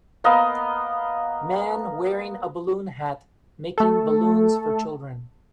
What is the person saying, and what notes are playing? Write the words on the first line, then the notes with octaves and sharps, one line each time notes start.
Man wearing a balloon hat making balloons for children.
A#3 B3 D#5 F5
A3 A4